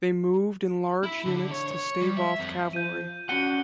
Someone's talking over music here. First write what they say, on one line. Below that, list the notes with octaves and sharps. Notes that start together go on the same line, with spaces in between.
They moved in large units to stave off cavalry.
E4
D3
C#5
C#5
G3
E5
F2
F3 G6 D#7
C#4 D4 F#4 F#5 C#7 D#7 G7